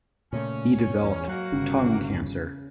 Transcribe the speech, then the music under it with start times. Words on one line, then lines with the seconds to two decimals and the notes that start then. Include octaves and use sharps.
He developed tongue cancer.
0.33 A#2 C#3 A3 C#4
1.04 E2
1.28 F#3 A#3 F#4
1.52 G1 C#3